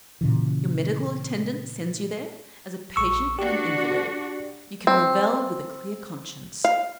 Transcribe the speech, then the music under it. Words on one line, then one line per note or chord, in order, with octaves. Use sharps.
Your medical attendant sends you there; as a patient and an invalid, you can revel with a clear conscience.
A#2 C#3 E3
A#1 C#6 E6
D4 F#4 G4
C4
F5